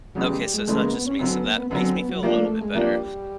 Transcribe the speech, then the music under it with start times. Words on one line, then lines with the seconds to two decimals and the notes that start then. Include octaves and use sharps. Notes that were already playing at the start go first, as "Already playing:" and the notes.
Okay. So it's not just me. So that makes me feel a little bit better.
0.15 E2 C#3 E3 F#3 G#3
0.29 G3
0.42 G3
0.54 G#3
0.67 E2 C#3 E3 G#3 A3
0.80 A#3
0.93 B3
1.06 C#4
1.19 F#2 D3 F#3 C4
1.32 B3
1.45 A#3
1.58 B3
1.70 F#2 D3 F#3 B3
1.84 C4
1.96 B3
2.09 F#3
2.22 F3 G3 A#3 D4
2.35 A3
2.48 A3
2.61 G#3
2.74 F3 G3 A#3 D4